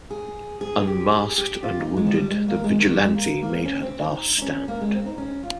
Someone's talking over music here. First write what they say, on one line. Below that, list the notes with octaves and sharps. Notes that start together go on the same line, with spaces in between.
Unmasked and wounded, the vigilante made her last stand.
G#4
G#4
G4
G#4
G4
F4
D#4
G#3
F3
G3
G#3
A#3
G#3
D#3
G3
G#3
A#3
A#3
C4
C#4
C4
D#4
D#4
C#4
A#3
G#3
C#4
C4
D#4
C#4
F4